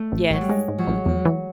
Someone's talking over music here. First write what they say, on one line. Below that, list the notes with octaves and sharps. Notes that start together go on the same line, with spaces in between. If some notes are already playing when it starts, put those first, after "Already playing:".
Yes, mhm.
Already playing: A3
A1
A1 F#3
G3
G#2 G#3
G#2
F#3
A1
E2
E3